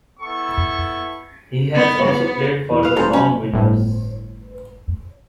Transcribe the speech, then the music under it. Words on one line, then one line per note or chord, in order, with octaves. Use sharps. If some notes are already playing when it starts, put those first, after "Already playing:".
He has also played for The Long Winters.
B3 E4 A4 C#6
B3
B3
E2
B4 F5
E1 G3 G#4 A4 C5 A#5
F#2 C#4
G1 A2